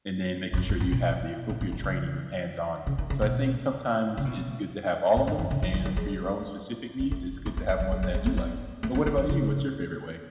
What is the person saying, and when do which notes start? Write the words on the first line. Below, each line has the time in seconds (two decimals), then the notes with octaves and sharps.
and then making sure you have the appropriate training with hands-on. So, I think sometimes it's good to have all of them, and for your own specific needs, it's good to have one that you like. But what about you? What's your favorite way?
0.53 E2
0.57 F#2
0.69 F#2
0.80 G#2
0.92 B2
1.49 A2
1.61 A2
1.72 D#3
1.84 C#3
2.87 C#3
2.98 D#3
3.10 C#3
3.22 B2
4.17 C#3
4.25 B2
5.17 A2
5.27 G#2
5.39 F#2
5.51 C#3
5.62 E3
5.74 E3
5.85 D#3
5.97 G#3
7.00 A3
7.11 A3
7.46 A3
7.57 B3
7.69 A3
7.80 F#3
7.92 G#3
8.03 A3
8.14 G#3
8.26 A3
8.37 B3
8.83 A3
8.95 B3
9.06 A3
9.18 E3
9.29 C#3